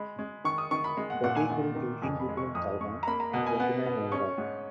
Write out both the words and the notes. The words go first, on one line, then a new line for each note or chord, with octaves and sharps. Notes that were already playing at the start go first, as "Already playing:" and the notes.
Betty killed eighteen people in Taiwan, and twenty-nine overall.
Already playing: G#3 B5
G#3
D#3 C#6
D#6
D#3 C#6
B5
G#3
F#5
A#2 F#5
G#5
D#3 F#5
D#3
F2 G#5
B5
G#3
C#6
F2 D#6
G#3 C#6
A#5
A#3 B5
A#5
B2 F#5
G#5
B3 F#5
B3
C#4 C#6
G#2